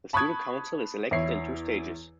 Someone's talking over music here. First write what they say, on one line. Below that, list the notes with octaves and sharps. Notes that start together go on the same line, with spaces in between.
The Student Council is elected in two stages.
A5 B5 C#6 D#6 F#6 G#6
E2 E4 C#5 C7